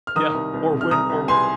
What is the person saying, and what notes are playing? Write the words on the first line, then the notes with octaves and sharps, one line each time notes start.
yeah, or when or
F6
D#3 A#5 D#6
C2
C2
C3
F6
C2 A#5 D#6
C2
C2 G#5 C6